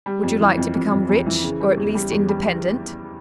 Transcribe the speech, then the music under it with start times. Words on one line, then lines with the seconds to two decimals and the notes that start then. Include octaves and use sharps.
Would you like to become rich, or at least independent?
0.06 G3
0.23 F2
0.40 E3
0.58 F2
0.74 F2
0.92 F2
1.09 F2
1.26 E3
1.43 C#3
1.60 G3
1.77 E2
1.95 G3
2.12 E2
2.29 G3